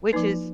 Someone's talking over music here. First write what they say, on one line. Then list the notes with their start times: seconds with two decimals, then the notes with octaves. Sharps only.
Which is
0.13 F3 A#3 D#4 B4